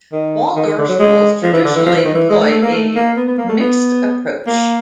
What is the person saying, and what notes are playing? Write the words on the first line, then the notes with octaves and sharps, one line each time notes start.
Waldorf schools traditionally employ a mixed approach.
D#3
D#3
D#3
D3
F#3
G#3
F3
E3
D3
E3
F3
E3
D#3
E3
G#3
A3
A3
A#3
A3
A#3
B3
B3
A#3
A3
B3
A#3